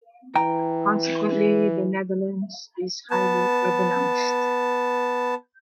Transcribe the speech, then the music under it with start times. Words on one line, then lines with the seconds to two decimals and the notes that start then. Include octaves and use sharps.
Consequently, the Netherlands is highly urbanized.
0.36 E3 G5 A#5
3.11 B3 A5